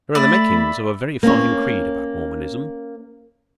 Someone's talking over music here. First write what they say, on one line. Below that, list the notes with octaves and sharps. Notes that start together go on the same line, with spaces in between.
There are the makings of a very fine creed about Mormonism.
A3 D5 E5 B5
A#3 C4 C#4 C#5